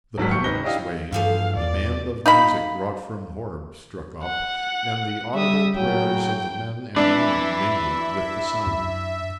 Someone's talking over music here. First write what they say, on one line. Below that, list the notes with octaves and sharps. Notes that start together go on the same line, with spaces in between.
The pennons waved, the band of music brought from Horb struck up, and the audible prayers of the men and women mingled with the sound.
G#1 G#2 F#3 G3 F#4 B6
D#2 C#6 G6 C#7
G#1 D#4 B4 A#6 G7
D4 E4 G4 D#5 F5
G2 E3 F3 A3 F5
E2 D5
D#4 F5 B5
F#5
G3 E5 D#6
A2 C#3 F#3 G5
G#3 C4 D4 E4 B4 E5
F#2